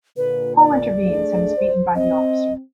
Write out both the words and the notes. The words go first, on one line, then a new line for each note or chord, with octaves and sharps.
Paul intervenes and is beaten by the officer.
A#2 D3 B4
D5
A3 D4 G#4
C5
C4 D#5